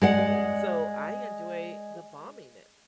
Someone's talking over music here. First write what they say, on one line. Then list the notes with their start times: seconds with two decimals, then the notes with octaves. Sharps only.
So I enjoy the balminess
0.02 G#3 D5 F#5